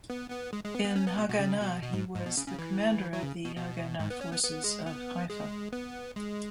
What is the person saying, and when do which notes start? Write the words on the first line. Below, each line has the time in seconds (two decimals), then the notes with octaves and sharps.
In Haganah he was the commander of the Haganah Forces of Haifa.
0.10 B3
0.30 B3
0.53 G#3
0.64 G#3
0.75 B3
0.85 B3
0.96 C#4
1.07 B3
1.17 B2
1.29 B2
1.39 C#3
1.61 B2
1.83 B2
1.93 G#2
2.14 G#2
2.26 B2
2.37 C#3
2.47 C#3
2.59 E3
3.13 F#3
3.23 C#3
3.45 B2
3.56 B2
3.99 G#2
4.10 B3
4.21 C#4
4.32 B3
4.43 B3
4.64 G#3
4.86 B3
5.30 G#3
5.72 B3
6.16 G#3